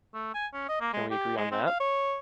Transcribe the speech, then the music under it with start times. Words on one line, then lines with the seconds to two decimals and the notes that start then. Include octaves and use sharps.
Can we agree on that?
0.14 A3
0.35 G#5
0.54 C#4
0.69 D#5
0.81 A#3
0.93 G#3
1.11 G4
1.37 G#3
1.52 C4
1.67 F5
1.81 C#5